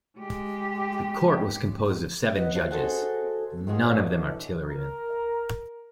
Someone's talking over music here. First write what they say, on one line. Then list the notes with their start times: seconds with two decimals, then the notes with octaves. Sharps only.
The court was composed of seven judges, none of them an artilleryman.
0.18 G#3 G4
2.34 B4 D#5 F#5
2.54 F4 C5 A5
2.71 F#4 G#4 A4 C5 D#5
3.67 D#3 G#3 F4 F#4 G#4
3.82 G#2 B2 D3 E3 F#3 D4
4.65 A#4